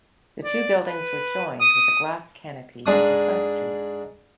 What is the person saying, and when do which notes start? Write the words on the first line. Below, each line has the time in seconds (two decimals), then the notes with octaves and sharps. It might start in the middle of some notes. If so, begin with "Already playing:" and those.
The two buildings were joined with a glass canopy over Front Street.
0.44 D5
0.86 B4
1.61 D#6
2.86 G#2 G#3 D4 D#6